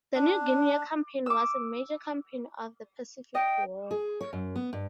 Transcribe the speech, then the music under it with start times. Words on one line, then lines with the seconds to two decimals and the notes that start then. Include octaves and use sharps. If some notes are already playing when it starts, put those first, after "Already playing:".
The New Guinea campaign was a major campaign of the Pacific War.
0.15 D4
1.26 D6 E6
3.35 D#5 G5
3.91 G#4
4.21 C#5
4.33 F#2
4.56 B3
4.73 G2